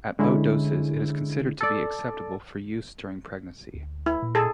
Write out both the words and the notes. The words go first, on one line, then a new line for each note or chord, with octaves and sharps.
At low doses it is considered to be acceptable for use during pregnancy.
D3 G#3 C#4 E4
A4 D5
D2
E4
A#2
G#4 A4